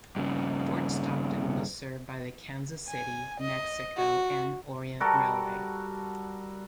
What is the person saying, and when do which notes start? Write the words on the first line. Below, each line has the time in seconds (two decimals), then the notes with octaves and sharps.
Fort Stockton was served by the Kansas City, Mexico and Orient Railway.
0.16 G2 C#3
2.89 G#5
3.40 D#5
3.97 F#4
5.00 G3 F#4 A4 A#4